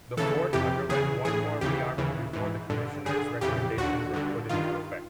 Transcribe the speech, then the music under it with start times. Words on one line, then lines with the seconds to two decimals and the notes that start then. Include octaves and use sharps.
The fort underwent one more rearming before the Commissioners' recommendations were put into effect.
0.17 D#2 C#3 E3 A4
0.53 F2 C3 E3 G4
0.89 E2 C#3 E3 G#4
1.25 A2 E3 G#4
1.61 D#2 C#3 E3 G4
1.98 D#2 C#3 E3
2.33 G#2 E3
2.70 G2 D3
3.06 G2 D3 G#4
3.41 F2 C#3 E3 G4
3.77 D#2 D3 F#4
4.14 G2 D3
4.49 G2 D#3 F4